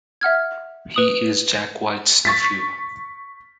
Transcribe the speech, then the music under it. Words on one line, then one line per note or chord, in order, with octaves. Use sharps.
He is Jack White's nephew.
E5 F#5 F6 G#6
B4 D#6 F#7
C#6 A6 B6